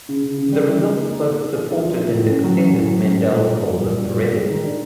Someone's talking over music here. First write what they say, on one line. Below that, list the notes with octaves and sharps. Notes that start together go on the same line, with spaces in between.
The results both supported and extended Mendel's laws of heredity.
C#3
C#3
C#3
G3
C#3
D#4
A#3
D#4
A#3
G#4
G#4
D#4
F3
A#3
A2
C#4
F#3
C#4
A2
F#3
C#4
G3
A#2
A#3
G3
A#2
G3
A#2
G3
G#3
D#3
D4